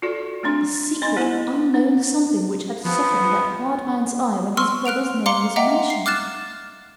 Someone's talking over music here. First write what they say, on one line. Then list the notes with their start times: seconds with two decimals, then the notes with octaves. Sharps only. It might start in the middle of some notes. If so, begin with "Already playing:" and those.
The secret, unknown something which had softened that hard man's eye when his brother's name was mentioned!
0.02 F4 F#4 A4 D5
0.43 A3 C4 D4 C6
1.02 C4 D#5 B5 C6
1.16 B3 E4 C5 D#5 G#5
1.74 D4
2.84 F3 B3
4.57 C6 C#6 E6 F6
4.86 F6 F#6 D7 F7
5.26 F5 A#5 C6 D6 C#7 G7
5.56 D#5 E5 F#5 G5 A#5 D6
5.90 C7
6.06 D6 F6 F#6 A6 E7